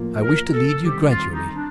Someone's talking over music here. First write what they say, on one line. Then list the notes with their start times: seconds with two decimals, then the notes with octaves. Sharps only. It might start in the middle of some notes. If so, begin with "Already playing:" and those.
I wish to lead you gradually.
Already playing: A2 F3 A#3 F4
0.21 A#4
0.53 A4
0.84 D#3 G3 C4 G4
1.08 F4
1.31 D#4
1.55 D4